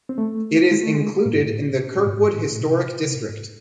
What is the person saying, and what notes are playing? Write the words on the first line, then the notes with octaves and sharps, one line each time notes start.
It is included in the Kirkwood Historic District.
C4
A3
G#3
A3
G#3
A2
G#2
A2
A2
G#2
A2
A2
C3
C3
A2
G#2